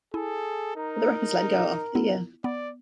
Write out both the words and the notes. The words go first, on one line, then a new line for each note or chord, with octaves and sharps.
But the Rapids let him go after the year.
E4 G#4 A4
D#4 A#4
B3 E4
B3 D5